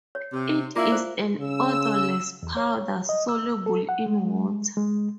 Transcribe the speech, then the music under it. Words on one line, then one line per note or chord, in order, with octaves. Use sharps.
It is an odorless powder soluble in water.
C#5
C3
A#3 D4 E4 F4 E5 F5
C5
C#3 E6
E2
C#5
D#5
E6
A4
F#5
G#3
G#3